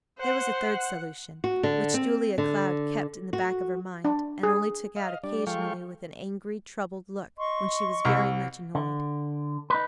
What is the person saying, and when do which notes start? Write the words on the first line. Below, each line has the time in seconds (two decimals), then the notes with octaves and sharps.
There was a third solution, which Julia Cloud kept in the back of her mind and only took out occasionally with an angry, troubled look when she was very much annoyed.
0.19 C5 F#5 F#6
1.44 F#4
1.63 D3
1.94 C4
2.38 D3
3.33 F#4
4.05 D4
4.43 G#4
4.96 D#5 F5
5.24 G3 D4 D5
5.47 F3 G#3 A4 F5 G5 C#6
7.38 D#5 C6 C#6
8.05 C2
8.75 D3
9.70 D#4 B4